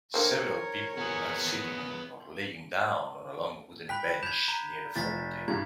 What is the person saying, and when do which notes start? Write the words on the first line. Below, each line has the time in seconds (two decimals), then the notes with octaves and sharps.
Several people are sitting or laying down on a long wooden bench near a fountain.
0.14 D3 A#3 C4 A#4 C#5
0.98 B3 G#4
3.89 G5 B5 F#6 B6
4.23 G6 G#6 E7 F7
4.48 A#5
4.96 F1 A6 B6
5.48 C2 G2 G#6